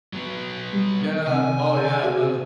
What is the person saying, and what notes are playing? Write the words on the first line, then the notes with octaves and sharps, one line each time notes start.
Yeah. Oh, yeah. The
F#3 B3
G3
C3 F#5 G#5
D6 E6 G6
F#4 G#4 E5